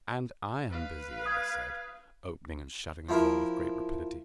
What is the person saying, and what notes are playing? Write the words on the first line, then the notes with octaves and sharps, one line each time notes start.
"And I'm busy," I said, opening and shutting a drawer with great rapidity.
B4 F5
D#6 G#6
F3 E4 A#4